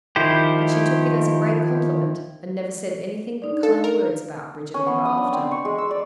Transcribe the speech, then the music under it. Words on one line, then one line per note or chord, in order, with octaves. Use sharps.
But she took it as a great compliment and never said anything but kind words about Bridget ever after.
D#3 F3 E4 G4 C5
D4 D#4 D5
A4 F5
A#4
C#4
B3
D#6
D4
C4
C#6
G#3
E6
D5